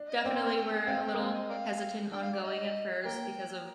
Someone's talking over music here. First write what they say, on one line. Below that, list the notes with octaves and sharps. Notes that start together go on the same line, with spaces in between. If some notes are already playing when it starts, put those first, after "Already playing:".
definitely were a little hesitant ongoing at first because of
Already playing: D4
D#5
C4 D5
C5
C5
G5
G#4
C4 F5
G5
A#3
C4 F5
D#5
A#4 D5 F5
D4 G5
F5
D5
D#5
A#3 G5